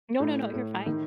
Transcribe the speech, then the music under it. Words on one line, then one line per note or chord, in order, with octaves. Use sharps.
No, no, no, you're fine.
A2
A2
D#3